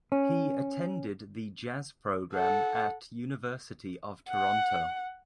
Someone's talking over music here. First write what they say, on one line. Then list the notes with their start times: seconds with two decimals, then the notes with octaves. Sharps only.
He attended the jazz program at University of Toronto.
0.12 C#4
2.33 A4 F#5
4.29 F#5